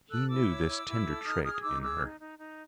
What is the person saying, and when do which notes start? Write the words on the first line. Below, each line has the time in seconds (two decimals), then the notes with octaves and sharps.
He knew this tender trait in her.
0.10 A4 E6 F#6
0.29 E4 D6 E6
0.48 C#5
0.67 E4
0.86 E4
1.06 A4
1.24 D#4 D#6 F6
1.43 G#4 D#6 F6
1.54 D#6
1.62 D#4 D6 E6
1.82 G#4 D6 E6
2.01 D#4
2.20 D#4
2.39 D#4